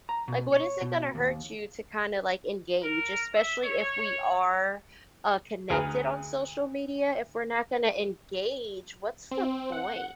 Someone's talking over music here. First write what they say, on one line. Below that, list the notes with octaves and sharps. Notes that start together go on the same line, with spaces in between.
like, what is it gonna hurt you to kinda, like, engage, especially if we are, uh, connected on social media. If we're not gonna engage, what's the point?
A#5
B2
C#5
B2
D#2
A#4
E5
C#5
D2 G#4 B4 A#5 F6
C4
F#5